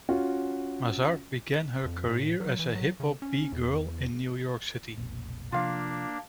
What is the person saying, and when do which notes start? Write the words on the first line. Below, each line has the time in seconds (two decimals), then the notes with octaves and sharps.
Mazar began her career as a hip hop b-girl in New York City.
0.09 C#4 F4 F#4
1.85 F2
2.09 A2
2.41 F#3
2.59 E3
2.75 F#3
3.00 C#3
3.22 C#4
3.53 E2
4.97 F1 B1 A#2
5.52 C3 F3 A#3 D4 F4 F5